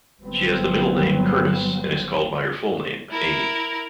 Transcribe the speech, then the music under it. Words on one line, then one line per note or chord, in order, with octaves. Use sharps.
She has the middle name Curtis, and is called by her full name, Amy.
G1 F#3 B3 C4
E4 A#4